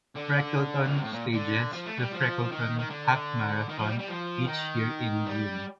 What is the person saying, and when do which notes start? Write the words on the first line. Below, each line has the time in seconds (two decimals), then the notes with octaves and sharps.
Freckleton stages the Freckleton Half Marathon each year in June.
0.15 D3
0.85 A#2
0.94 C3
1.03 A2
1.13 A#2
1.33 D3
1.73 F3
1.86 A3
1.99 G3
2.12 F3
2.51 D#3
2.78 D#3
2.90 D3
3.69 D#3
3.78 F3
3.88 G3
3.99 G3
4.08 F3
4.47 D#3
5.26 G3